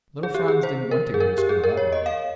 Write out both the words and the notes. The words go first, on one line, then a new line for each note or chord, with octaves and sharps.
Little Franz didn't want to go to school, that morning.
G#4
G4
G#4
C5
A#4
G#4
A#4
G4
G#4
A#4
C#5
D#5
F5